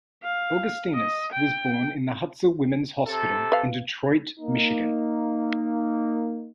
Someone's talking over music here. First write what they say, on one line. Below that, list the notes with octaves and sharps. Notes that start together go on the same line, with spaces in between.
Augustinus was born in the Hutzel Women's Hospital in Detroit, Michigan.
F5
D#5
G5
C3 A4
B4 F5
A#3 D#4